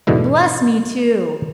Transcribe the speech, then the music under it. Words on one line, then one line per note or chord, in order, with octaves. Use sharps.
"Bless me too!"
E2 G#2 B2 D3 E4